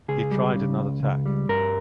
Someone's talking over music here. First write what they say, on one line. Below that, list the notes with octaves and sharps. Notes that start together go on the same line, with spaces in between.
He tried another tack.
C#2 G#4
G3
C#3
C#2
C#2
G3
G2 A#4